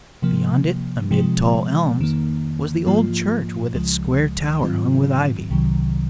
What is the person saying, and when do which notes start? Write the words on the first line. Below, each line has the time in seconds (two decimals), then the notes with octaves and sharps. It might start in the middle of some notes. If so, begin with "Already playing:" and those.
Beyond it, amid tall elms, was the old church with its square tower hung with ivy.
0.22 C3 F3 A#3
1.11 C3 F3 G#3
1.99 F2 D#3 A#3
2.86 G#2 F3 A#3 F4
3.75 C#2 C#3 F3 G#3
4.62 G#2 D#3 F#3 C4 F4
5.50 C2 C3 D#3 F#3